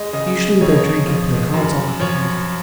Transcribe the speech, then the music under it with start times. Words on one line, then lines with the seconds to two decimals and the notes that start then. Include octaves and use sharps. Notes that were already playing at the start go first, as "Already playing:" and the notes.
Usually they drink and play cards all night long.
Already playing: G#3 D#5
0.13 C#3 D#5
0.61 F2 C#5
0.69 D#5
0.77 C#5
1.06 F3 D#5
1.54 F#2
2.00 F3 C#5